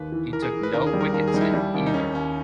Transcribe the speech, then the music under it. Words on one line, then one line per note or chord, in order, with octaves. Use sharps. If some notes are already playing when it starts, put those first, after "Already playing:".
He took no wickets in either.
Already playing: D#2 B4
E3
E3 A#4
G#4
E3
B4
D#2 A#4
G#4
G3
A#4
D#2 A#4
G#4
G3 D#4
E4
G3
D#2
D#4
D#3 C#4
D#2 C#4